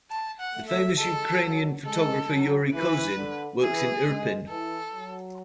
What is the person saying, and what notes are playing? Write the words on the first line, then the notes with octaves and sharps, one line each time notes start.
The famous Ukrainian photographer Yuri Kosin works in Irpin.
A5
F#5
A3
E5
G#3 A4
F#3
G#3 A4
F#3
E3 B4
D3
E3 G#4
G#3
E3 A4
F#3